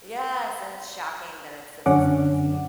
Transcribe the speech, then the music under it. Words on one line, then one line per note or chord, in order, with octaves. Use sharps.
Yes, and it's shocking that it's this easy.
F#2 D3 C#4 D4 F#5 D6